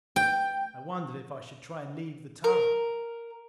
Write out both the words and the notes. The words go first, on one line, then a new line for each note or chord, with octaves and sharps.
I wondered if I should try and leave the turret.
G5
A#4